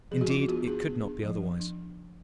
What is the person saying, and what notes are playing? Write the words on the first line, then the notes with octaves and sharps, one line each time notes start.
Indeed, it could not be otherwise.
F3 G#4
F#4
D4 F4
B3 F#4
D4 G#4
B3
D4
F3
F3
D4